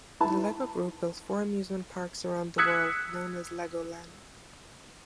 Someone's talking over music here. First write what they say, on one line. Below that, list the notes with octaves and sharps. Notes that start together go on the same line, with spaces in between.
The Lego Group built four amusement parks around the world, known as Legoland.
G#2 E4 B4 A5
D#6 E6 F#6 G#6 B6 C#7